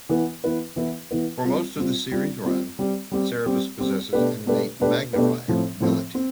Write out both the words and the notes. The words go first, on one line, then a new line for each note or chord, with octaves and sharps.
For most of the series' run, Cerebus possesses an innate "magnifier" ability.
E3 B3 E4 B4
E3 B3 E4 B4
E3 B3 E4 B4
E3 B3 E4 B4
G3 C4 F4
G3 C4 F4
G3 C4 F4
G3 C4 F4
G3 C4 G4
G3 C4 G4
G3 C4 G4
G3 C4 G4
B2 A3 D4 G4 B4
B2 A3 D4 G4 B4
B2 A3 D4 G4 B4
B2 A3 D4 G4 B4
A2 F3 C4
A2 F3 C4
C4